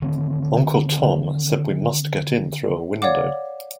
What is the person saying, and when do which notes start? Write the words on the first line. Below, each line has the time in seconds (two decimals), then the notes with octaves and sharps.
Uncle Tom said we must get in through a window.
0.02 D3 D#3 A3 C4
3.02 C#5 D5 F5 F#5 D6